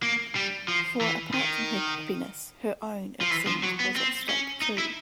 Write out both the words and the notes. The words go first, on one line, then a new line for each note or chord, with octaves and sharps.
For apart from her happiness, her own, it seemed, was at stake too.
A#3
G3
F3
E3
D#3
F3
E3
F3
F#3
B3
C4
C#4
D#4
E4